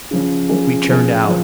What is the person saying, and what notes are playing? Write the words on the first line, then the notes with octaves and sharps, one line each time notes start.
We turned out.
C#3 F3 C#4
F3 C#4 G#4
F3 C#4 G#4
C#3 F3